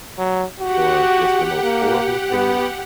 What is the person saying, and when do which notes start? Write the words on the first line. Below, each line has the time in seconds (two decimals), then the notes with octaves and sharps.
or just the most horrible thing
0.18 F#3
0.60 F#4 G4 F#5
1.64 A#3
2.31 B3